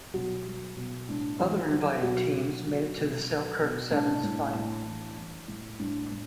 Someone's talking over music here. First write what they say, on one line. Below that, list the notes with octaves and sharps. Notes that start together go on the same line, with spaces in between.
Other invited teams made it to the Selkirk Sevens final.
B2 F#3 F#4
F#3
B2
A2 D4
E3 F#3 E4
F#3 F#4
B2 F#3 F#4
F#3
F#3
B2
F#3
B2
A2 D4
A2
A2
E3
E3
A2
A2 D4
A2